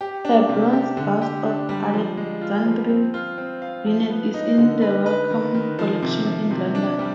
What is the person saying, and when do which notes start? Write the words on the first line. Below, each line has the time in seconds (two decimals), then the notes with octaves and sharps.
Her bronze bust of Alexandre Vinet is in the Wellcome Collection in London.
0.01 G4
0.25 D4
0.49 C3
0.73 G4
0.97 D3
1.22 G4
1.45 D4
1.69 G3
1.94 F3
2.17 G#3
2.41 F4
2.66 F3
2.89 C4
3.14 F4
3.38 C4
3.62 F5
3.86 F3
4.10 B3
4.34 D#4
4.58 D3
4.82 B4
5.06 B4
5.30 D#3
5.55 D#3
5.79 F3
6.02 C3
6.26 F3
6.51 C3
6.75 D4
6.99 G3